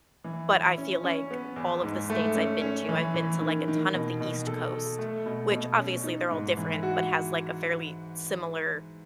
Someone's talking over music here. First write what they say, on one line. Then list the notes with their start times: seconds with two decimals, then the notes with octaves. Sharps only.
but I feel like all of the states I've been to, I've been to, like, a ton of the East Coast, which obviously, they're all different, but has, like, a fairly similar,
0.24 E3
0.51 E3
0.78 C#4
1.04 C#4
1.31 B3
1.56 E2
1.83 G#2
2.10 A3
2.35 C#4
2.61 C#4
2.89 E3
3.14 E3
3.40 D#3
3.68 D#3
3.94 B2
4.21 B2
4.47 A4
4.72 A4
4.99 A3
5.26 B2
5.51 B2
5.78 C#4
6.04 D#4
6.31 G#2
6.57 E3
6.83 F#4